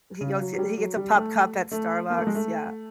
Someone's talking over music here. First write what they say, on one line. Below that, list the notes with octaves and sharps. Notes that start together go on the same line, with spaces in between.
He goes, yeah, he gets a Pup Cup at Starbucks. Yeah.
C#3
F#3
F#3
G3
F#3
G3
A3
A3
A#3
A3
G#3
A3